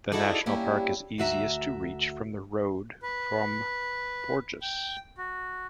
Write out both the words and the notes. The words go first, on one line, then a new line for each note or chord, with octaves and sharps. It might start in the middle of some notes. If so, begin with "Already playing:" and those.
The national park is easiest to reach from the road from Porjus.
D#4 E4 F#4 G#4 A4 D5
G3 A#3 C#4 D4 E4 G4
D2 F#4 E5 A#5
B4
G5
F#4